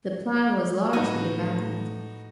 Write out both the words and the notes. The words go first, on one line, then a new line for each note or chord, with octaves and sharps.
The plan was largely abandoned.
A2 D#4 F#4 B4 G#5